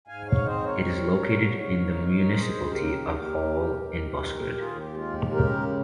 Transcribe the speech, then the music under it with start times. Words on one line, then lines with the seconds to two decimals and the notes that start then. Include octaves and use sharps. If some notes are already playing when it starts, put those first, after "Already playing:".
It is located in the municipality of Hol in Buskerud.
0.08 G#2 F5 G#5
0.26 C#5 F5
0.45 C4 C5 D#5
0.64 A#4 C#5
0.83 G3
1.20 G#2
1.58 C#3
1.95 D#4
2.32 G#3 G#4 C5
2.69 C#3 G4 A#4
3.07 D#2
3.45 G3
3.82 D#3
4.20 D#2
4.57 D#2 F4 G#4
4.76 G4
4.94 G#3 F4
5.14 G4
5.31 C#3 G4 A#4